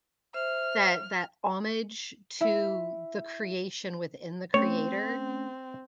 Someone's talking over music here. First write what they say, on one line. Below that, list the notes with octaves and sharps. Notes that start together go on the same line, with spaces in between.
that that homage to the creation within the creator
C5 E5 F6
E4 E5
A3 C4 C#4 C#5